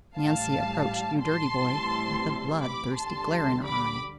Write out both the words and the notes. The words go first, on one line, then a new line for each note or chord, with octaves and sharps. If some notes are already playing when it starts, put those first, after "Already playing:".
Nancy approached You Dirty Boy with a bloodthirsty glare in her eye.
A1 A2 G3 F5 A5
A5 C6
A2 E3 G3 C4 E4
B5 D6
D2 D3 G3 A5 C6
B5 D6